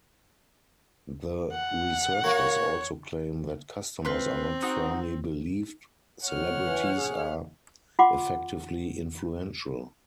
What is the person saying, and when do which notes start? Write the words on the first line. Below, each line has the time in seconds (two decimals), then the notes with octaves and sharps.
The researchers also claim that customers are not firmly believed celebrities are effectively influential.
1.52 F#5
2.24 A#3 F#4 C#5
4.05 C4 F4 B4 C6
4.62 D#4 F#4 D#6
6.27 F2 C#5 F#5 F6
6.63 E3
6.96 G#4
7.99 F4 F#5 C6 D6